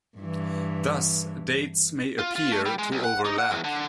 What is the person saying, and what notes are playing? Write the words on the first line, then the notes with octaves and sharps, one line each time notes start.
Thus, dates may appear to overlap.
G2 E3
F4
F4
A3
G3
G#3
B1
F#5
D#4
F#5
E2
D3